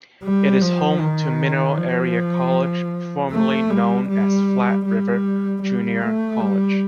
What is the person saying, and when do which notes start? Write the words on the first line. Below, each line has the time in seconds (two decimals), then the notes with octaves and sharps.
It is home to Mineral Area College, formerly known as Flat River Junior College.
0.23 G3
0.61 F3
1.00 D#3
1.77 F3
3.32 A3
3.70 G3
4.09 G3
4.86 G3
5.63 G3
6.02 A3
6.40 G3